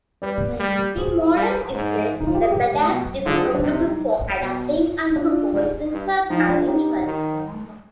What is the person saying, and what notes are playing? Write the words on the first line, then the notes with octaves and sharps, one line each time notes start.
In modern Israel, the "badatz" is notable for adapting and supervising such arrangements.
G3 B4 D5
G3
G#4 C5
G3
G#2
D#4
F4
G4
G#4
G4 B4
B2
D3 F4 G#4
G#4 C5
G4 B4
D4
C3 D#4
D#4
B2
D4 F4
G#2
G2
F3 D#4
D4 F4
D#4 G4
D#3